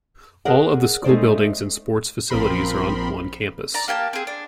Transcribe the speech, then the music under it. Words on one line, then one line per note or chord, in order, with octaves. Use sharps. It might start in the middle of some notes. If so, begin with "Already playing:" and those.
All of the school buildings and sports facilities are on one campus.
G#4 A#4 D5 F#5
G#3 A3 D#4 C5 D5
A#1 F3 C4 A#4 B5 C6
D5 A#5
A#3 G4 G#5 A5
C4 G#4
D4